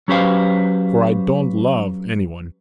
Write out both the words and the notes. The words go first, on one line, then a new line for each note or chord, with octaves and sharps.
For I don't love any one.
F#3 C#4 G4 B4 C5 F5